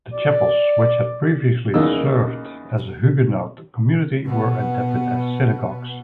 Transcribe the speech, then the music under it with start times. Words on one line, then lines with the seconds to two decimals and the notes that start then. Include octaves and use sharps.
The chapels, which had previously served the Huguenot community, were adapted as synagogues.
0.14 D5
1.74 E2 C#3 A#3 D#4 D#5 E6
4.25 B2 B3